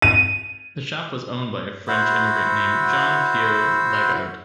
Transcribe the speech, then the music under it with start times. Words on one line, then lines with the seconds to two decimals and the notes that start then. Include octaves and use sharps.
The shop was owned by a French immigrant named Jean-Pierre Lagarde.
0.02 D#7
1.88 E4 F#4 C5